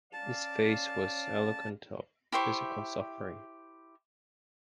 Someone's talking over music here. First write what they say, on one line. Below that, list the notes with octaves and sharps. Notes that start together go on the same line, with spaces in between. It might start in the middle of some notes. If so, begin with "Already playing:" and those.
His face was eloquent of physical suffering.
C#4 D5 F5 A5
E4 G4 C5 C#6